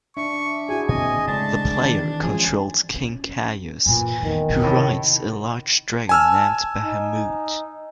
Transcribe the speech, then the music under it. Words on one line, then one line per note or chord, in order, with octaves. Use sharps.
The player controls King Kayus, who rides a large dragon named Bahamoot.
D4 E5 C#6
E4 F#4 G#4 G#5
A#2 C4 D#5 G#5
C#3 G#3 A3 D4 A5
D#3 E3
G2 E3 F3 G#3 C#4 F4 G#4
C#4
F#2 A#2 E3
E2 D#3 A#3
A2 C3
G#5 A5 E6 F6
D#4